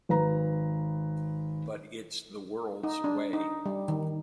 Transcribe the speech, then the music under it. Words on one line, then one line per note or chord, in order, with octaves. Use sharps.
But it’s the world’s way.
G#1 B4 A#5
D#4
D4
D#4
G3
D#3